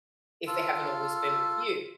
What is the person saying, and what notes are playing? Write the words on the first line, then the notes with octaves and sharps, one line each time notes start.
if they haven't always been with you.
F4 A4